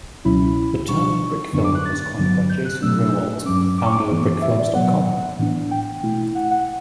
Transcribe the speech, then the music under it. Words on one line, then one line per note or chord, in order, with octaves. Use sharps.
The term 'brick film' was coined by Jason Rowoldt, founder of Brickfilms.com.
C#2 B2 F#3 C#4 E4 B5
B2 G3 D4 C#6
F#2 D3 F#3 B3 D4 C#6
D6
F#6
A6
A6
G2 D3 F#3 B3
G6
F#6
B2 F#3 A3 D4 E6
G2 F#3 C#4 D6
D6
C#6
D6
G2 E3 B3
E5
D5
B2 F#3 B3 F#5
A2 E3 B3 D4
G5
B2 A3 E4
F#5
F#5